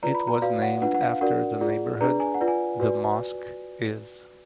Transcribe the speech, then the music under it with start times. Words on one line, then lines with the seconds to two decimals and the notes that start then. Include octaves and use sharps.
It was named after the neighborhood the mosque is.
0.03 F4 B4 D5 A#5
0.15 B5
0.27 A#5
0.42 F#4 B4 D5 F5
0.62 F#5
0.82 D4 F4 B4 F#5
0.94 F#5
1.01 F5
1.21 D4 F#4 A#4 D5 F#5
1.61 F4 G#4 D5
2.00 D4 G#4 B4 D5 A#5
2.20 G#5
2.34 F#5
2.41 F4 B4 D5
2.48 G#5
2.80 F#4 B4 D5